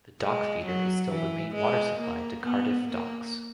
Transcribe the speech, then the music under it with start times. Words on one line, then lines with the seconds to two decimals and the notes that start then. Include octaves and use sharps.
The dock feeder is still the main water supply to Cardiff Docks.
0.22 G#3
0.66 F#3
1.11 E3
1.55 G#3
2.00 A#3
2.44 B3
2.89 A#3